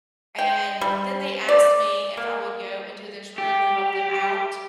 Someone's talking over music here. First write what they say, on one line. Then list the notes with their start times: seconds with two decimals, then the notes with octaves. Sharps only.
and then they asked me if I would go into this room to help them out,
0.38 G5
0.81 G3
1.49 D5
2.17 A#3
3.38 G4